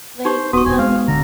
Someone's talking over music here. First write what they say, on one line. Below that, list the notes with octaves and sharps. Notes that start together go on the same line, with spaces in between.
Like, um,
D#4 G4 C5 C#6
D#1 B3 F#4 C#6 D#6
E1 G#5
G#3 F5
D1 D3 A#5